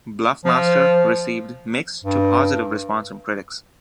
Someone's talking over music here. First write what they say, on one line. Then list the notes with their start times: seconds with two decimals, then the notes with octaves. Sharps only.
"Bluffmaster" received mixed to positive response from critics.
0.45 F3
2.04 G2